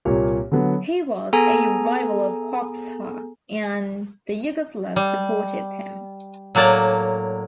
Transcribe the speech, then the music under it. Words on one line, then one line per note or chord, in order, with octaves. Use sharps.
He was a rival of Hoxha, and the Yugoslavs supported him.
C2 A#2 A#3 C#5
D3 F#3 B3
B3 G#4 A4 G#5 A#5
G3
A2 F#3 A#3 D5 A5